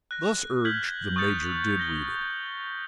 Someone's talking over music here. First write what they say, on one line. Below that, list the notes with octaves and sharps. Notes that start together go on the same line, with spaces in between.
Thus urged, the Major did read it.
F#6 A#6
F6 G6 G#6 B6 F#7
C#6 D#6 F6 G6 A6 C#7
A#6 G7